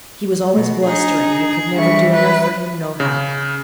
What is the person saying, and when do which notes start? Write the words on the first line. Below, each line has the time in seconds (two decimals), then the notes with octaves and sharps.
He was always blustering, you could never do enough for him no how.
0.53 B2 A3
0.85 D4 D#4 G#4
1.78 E3 G3 E5 C#6
2.13 B4
3.00 C#3